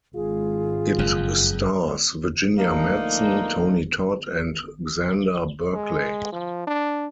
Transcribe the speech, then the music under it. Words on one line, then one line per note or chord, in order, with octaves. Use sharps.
It stars Virginia Madsen, Tony Todd, and Xander Berkeley.
G#1 F4 G#4
F#1 F2
F3 A3 A#3 D4 D#4
G#3
F3
D4